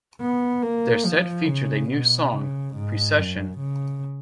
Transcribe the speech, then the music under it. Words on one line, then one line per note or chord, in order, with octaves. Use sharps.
Their set featured a new song, "Precession".
B3
A#3
F3
C#3
B2
C#3
G#2
F#2
C#3